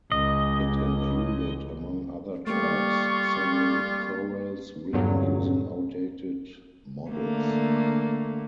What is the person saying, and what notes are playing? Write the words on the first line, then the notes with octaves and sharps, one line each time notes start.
It included, among other types, several chorales written using outdated models.
C#2 D#5
G3 A3 A#3 F4 C#6
E2 G2 A#2 D3 F#3
D3 A3 A#3